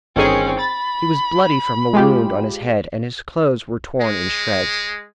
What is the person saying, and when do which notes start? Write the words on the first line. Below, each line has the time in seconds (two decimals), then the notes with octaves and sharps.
He was bloody from a wound on his head, and his clothes were torn in shreds.
0.16 G1 D#3 C4 C#4 G#4
0.59 B5 A6
1.93 G#3 F4 G4
4.02 G#3